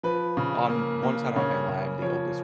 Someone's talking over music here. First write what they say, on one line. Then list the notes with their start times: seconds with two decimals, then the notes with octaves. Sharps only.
on one side of my family, I am the oldest,
0.03 F3 B4
0.37 C#3
0.70 A#3
1.03 A#3
1.36 C#3 C#5
1.69 C#3
2.02 F3 C#5